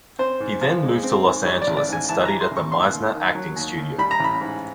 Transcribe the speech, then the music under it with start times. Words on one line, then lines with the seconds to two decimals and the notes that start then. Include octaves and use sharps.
He then moved to Los Angeles and studied at the Meisner Acting Studio.
0.19 C4 C5
0.40 G#2
0.61 F3
0.83 G#3
1.04 C4
1.25 G#2
1.45 G3 C#5
1.62 D5
1.67 A1
1.77 D5
1.88 G#2 G#5
2.09 E3 A5
2.25 A#5
2.29 G3
2.41 C6
2.51 A1
2.57 C#6
2.72 D#2 C6
2.93 D#2
3.14 D#3
3.35 F#3
3.56 D#2
3.78 D#2
3.98 G3 B5
4.11 A#5
4.20 A1 B5
4.40 G#2